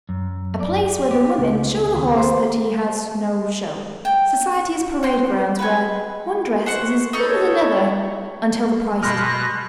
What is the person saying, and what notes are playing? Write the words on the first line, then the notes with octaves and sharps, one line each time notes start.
A place where the women show the horse that he has no show. Society's parade grounds, where one dress is as good as another until the price is known.
F#2
D5
G4
C#2
D#2
C5
G5
F#5 G5 C6
B4 F#5 G#5
C5 F#5 C#6
D#4 A4 C#6
C#5
B2 B5 C6 F6 F#6 A#6